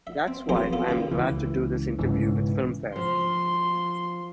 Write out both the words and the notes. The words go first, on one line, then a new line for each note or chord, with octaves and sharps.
That's why I am glad to do this interview with Filmfare.
E5
C4
A#1 E2 A2 F#3 A#3 C5
B3 F4 A4
C#2 A#2 D#3 G5
C#2 E3
B1 G#2 C#3 E3
F3 C6